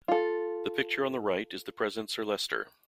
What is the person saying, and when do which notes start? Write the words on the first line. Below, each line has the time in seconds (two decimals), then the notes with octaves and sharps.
The picture on the right is the present Sir Leicester.
0.08 F4 A4